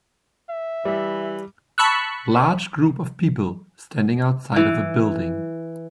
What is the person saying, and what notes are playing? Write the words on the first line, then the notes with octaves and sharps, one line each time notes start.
Large group of people standing outside of a building.
E5
E3 G3
A5 B5 C#6 E6 F#6
E3